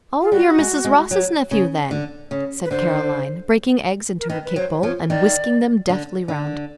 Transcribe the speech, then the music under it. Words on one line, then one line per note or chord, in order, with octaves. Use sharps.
"Oh, you're Mrs. Ross's nephew then," said Caroline, breaking eggs into her cake-bowl, and whisking them deftly round.
F4
G3 F#4
G#3
G#3
F#3
C#3
D3
C#3
B4
D3 C5
A#4
D#3 B4
B4
F#3 C5
F3 C#5
D#3 D5
D3
D3